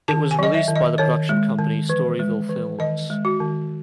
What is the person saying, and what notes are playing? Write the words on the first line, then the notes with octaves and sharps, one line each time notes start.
It was released by the production company, Storyville Films.
D#3 A5
G#5
F#3 D#5
E5
D#3
D#5
D#3 C#5
G#3
D#3
E3
G#3
E3
D#3 D#5
G#3
F#4
D#3